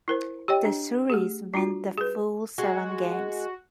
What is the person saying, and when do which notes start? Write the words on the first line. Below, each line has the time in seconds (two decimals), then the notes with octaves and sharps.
The series went the full seven games.
0.08 E4 A#4 C5
0.48 G4 C#5 D#5 G5
0.65 D4
1.10 A3 G4 G#4
1.54 G3 D4 F4 F#4
1.98 G#4 B4
2.58 G#3 F#4